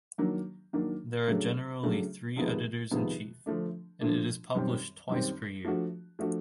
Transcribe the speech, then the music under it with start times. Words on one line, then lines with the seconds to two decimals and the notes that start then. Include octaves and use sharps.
There are generally three editors-in-chief, and it is published twice per year.
0.18 D#3 F#3 A#3 D4
0.73 D#3 F#3 A#3 D4
1.28 C#3 F#3 A3 D4
1.83 C#3 F#3 A3 D4
2.36 F2 C3 D#3 G#3 B3
2.91 F2 C3 D#3 G#3 B3
3.46 D3 F3 A3 D4
4.01 D3 F3 A3 D4
4.55 F#2 D#3 G3 C4
5.09 F#2 D#3 G3 C4
5.65 F3 A3 D4 F#4
6.19 F3 A3 D4 F#4